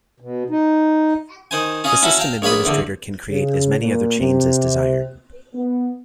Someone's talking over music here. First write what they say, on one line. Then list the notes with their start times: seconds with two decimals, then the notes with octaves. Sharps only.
The system administrator can create as many other chains as desired.
0.20 B2
0.50 D#4
1.51 D#3 C5 G#5
1.84 C#4 F4 G#4 D#5
2.02 C#4 E4 F#4 A4
2.17 F5 G5 A5 A#5
2.42 A#1 C#5 F5 B5 D#6
2.65 E2 D3
3.28 C#3
3.77 A#2
4.19 C3
5.55 B3